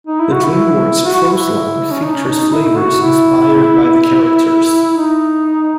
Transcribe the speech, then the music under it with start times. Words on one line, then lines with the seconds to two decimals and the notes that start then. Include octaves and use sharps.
The Dreamworks Trolls line features flavors inspired by the characters.
0.07 D#4
0.19 E4
0.33 F#4
0.44 E4
1.05 F#4
1.30 E4
1.91 C#4
2.04 D#4
2.15 C#4
2.28 D#4
2.41 D#4
2.53 E4
2.77 F#4
3.02 E4
4.97 D#4